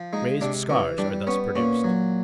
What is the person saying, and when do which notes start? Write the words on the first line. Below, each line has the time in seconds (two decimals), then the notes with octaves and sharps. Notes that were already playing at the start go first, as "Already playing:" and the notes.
Raised scars are thus produced.
Already playing: F3
0.13 G#3 D#4
0.41 C3 D4
0.70 E3 C#4
0.98 G3 D4
1.27 B3 C#4
1.56 A#2 C#4
1.84 F#3